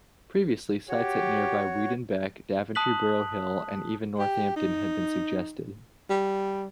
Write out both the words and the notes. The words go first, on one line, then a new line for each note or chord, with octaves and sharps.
Previously, sites at near-by Weedon Bec, Daventry-Borough Hill and even Northampton had been suggested.
F#4 G4 C#5
A5 D#6 F#6 B6 F#7
G4
D#4
G3